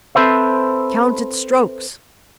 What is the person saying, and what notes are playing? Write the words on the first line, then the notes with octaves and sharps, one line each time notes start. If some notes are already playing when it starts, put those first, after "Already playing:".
Count its strokes.
C4 A4 B4 C5 E5